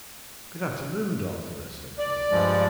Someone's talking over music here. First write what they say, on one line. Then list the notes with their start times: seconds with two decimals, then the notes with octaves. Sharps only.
"Good afternoon, Doctor," I said formally.
1.99 D5
2.31 G2 F3 G#3